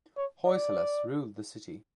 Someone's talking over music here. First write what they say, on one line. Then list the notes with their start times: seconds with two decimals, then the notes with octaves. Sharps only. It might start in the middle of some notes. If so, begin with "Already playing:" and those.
Hoysalas ruled the city.
0.17 C#5
0.46 D5